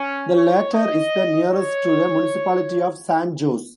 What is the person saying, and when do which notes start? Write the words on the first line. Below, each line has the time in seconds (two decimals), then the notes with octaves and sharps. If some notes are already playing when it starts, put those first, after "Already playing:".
The latter is the nearest to the Municipality of San Jose.
Already playing: C#4
0.35 C#5
0.74 D#5
1.51 C#5